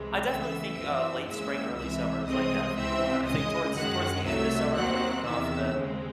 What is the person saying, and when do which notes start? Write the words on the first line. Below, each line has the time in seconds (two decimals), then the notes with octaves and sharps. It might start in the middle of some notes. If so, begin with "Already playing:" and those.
I definitely think, uh, late spring, early summer is like that for me a lot. I think towards towards the end of summer when we're coming off the
Already playing: C2 C3 E3 G#3
0.27 C#2 C#3 E3 A3 E5 E6
0.78 F#2 E3 C4
1.27 D#2 C#3 E3 G#3 E5 E6
1.77 C#2 C3 E3 E5 E6
2.27 C2 C3 E3 G#3 C4 D#5 D#6
2.76 C#2 C3 E3 C4 E5 E6
3.26 C#2 C#3 G#3 D#5 D#6
3.76 F#2 D#3 G#3 F#5 F#6
4.25 C2 C3 F#3 A3 E5 E6
4.75 D#2 D#3 F#3 C4 F#5 F#6
5.25 E2 C3 D#3 E5 E6
5.75 D#2 C#3 G#3 C4